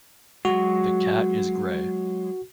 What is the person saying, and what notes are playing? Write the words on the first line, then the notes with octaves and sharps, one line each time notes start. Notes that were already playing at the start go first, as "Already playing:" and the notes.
The cat is grey.
F#3 G#3 F#4